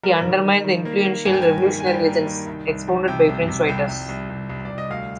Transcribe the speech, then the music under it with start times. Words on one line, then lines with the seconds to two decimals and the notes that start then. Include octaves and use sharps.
He undermined the influential revolutionary legends, expounded by French writers.
0.03 G3 A#4
0.24 D#3
0.45 D#3
0.64 D#3
0.85 A#3
1.05 A#3
1.25 G2 G#5
1.34 G5
1.42 G2 G#5
1.66 D#3
1.80 G#5
1.86 G3 G5
2.06 A#3
2.27 D#3
2.47 C2
2.67 C2
2.88 F3
3.08 C3 G5
3.29 C2
3.48 C3
3.69 C2 G5
3.89 C2
4.09 C2
4.29 C2
4.50 C2
4.65 C2 D5
4.78 D#5
4.90 D2 F5